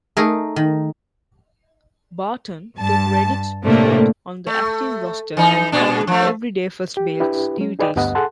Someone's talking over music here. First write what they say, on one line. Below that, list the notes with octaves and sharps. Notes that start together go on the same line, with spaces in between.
Barton took Reddick's spot on the active roster and covered everyday first base duties.
A3 D#4 G#4 A#4
D#3
G2 A5
A2 C3 A3 A#3 D4
A3
E3 D#4
A#2 D4
F3 A3
G4
D4 E4 G4 B4
F#3 C#4
D#4 G#4 B4 D5 D#5 G5
D2 G2 G3 B3 D#5 F#5
G#4 A4 F#5 A5 C6